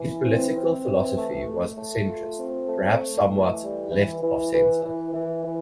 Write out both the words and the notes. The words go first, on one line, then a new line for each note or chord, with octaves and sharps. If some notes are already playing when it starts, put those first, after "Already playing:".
His political philosophy was centrist, perhaps somewhat left-of-centre.
Already playing: E3
C4
C4
E3
A3
A3
A3
F4
C4
A3
A3
E3
G3
E3
E3
E3
E3
E3
E3